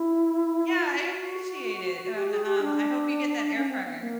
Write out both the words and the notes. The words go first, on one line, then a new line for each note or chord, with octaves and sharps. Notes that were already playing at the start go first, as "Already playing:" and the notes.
Yeah, I appreciate it, and, um, I hope you get that air fryer.
Already playing: E4
F4
F#4
G4
G#4
G4
D4
C#4
C4
B3
A#3